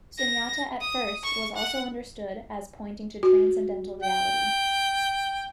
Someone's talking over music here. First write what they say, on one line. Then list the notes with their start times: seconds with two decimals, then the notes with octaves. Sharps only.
Sunyata at first was also understood as pointing to transcendental reality.
0.18 A#6
0.81 D#6
1.23 C#6
1.56 F#5
3.23 F#4
4.03 G5